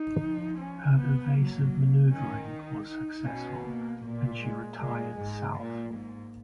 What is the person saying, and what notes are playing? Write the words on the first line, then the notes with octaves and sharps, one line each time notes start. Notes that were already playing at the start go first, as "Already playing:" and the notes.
Her evasive maneuvering was successful, and she retired south.
Already playing: D#4
F3
C#4
B3
F#3 A#3
D#3 C#4
D#4
D#4
B2 C#4
A#3
A#2 A#3
G#3
A#2 G#3
G#2
A#2 A#3
G#2